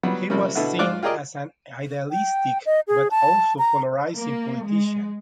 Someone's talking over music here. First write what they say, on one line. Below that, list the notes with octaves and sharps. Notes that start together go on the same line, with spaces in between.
He was seen as an idealistic, but also polarizing politician.
F#3 G3 B3
C3 F3 G3 A#3 C#4
B2 D3 B3 E4 F#4
G#2 F4 D5 D6 F#6
F4 G4 G#4 A#4 D5 D#5
G5
D#5
G#4
A5
A#5
A#3
G#3